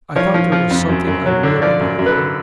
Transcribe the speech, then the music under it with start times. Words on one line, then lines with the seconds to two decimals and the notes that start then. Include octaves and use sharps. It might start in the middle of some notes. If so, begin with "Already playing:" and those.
I thought there was something unreal about it.
0.16 F3 C#5
0.34 F3
0.52 F3
0.70 F2
0.89 F#2
1.08 F#2
1.26 F#3
1.43 D3
1.62 F3 D5
1.80 F#2
1.99 F#2
2.06 B4
2.10 A4
2.17 D3